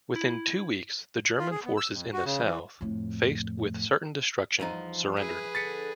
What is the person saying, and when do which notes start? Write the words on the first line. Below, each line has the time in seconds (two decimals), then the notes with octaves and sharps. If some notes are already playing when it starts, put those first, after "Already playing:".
Within two weeks the German forces in the south, faced with certain destruction, surrendered.
0.16 E4
1.38 F4
1.51 G#4
1.65 B3
1.77 E6
1.92 F2
2.13 F#4
2.25 C#3
2.44 E3
2.81 F2 A2
4.60 E2 F3 D#4
5.17 E4 G#4 B4
5.55 D3 A6 B6 C#7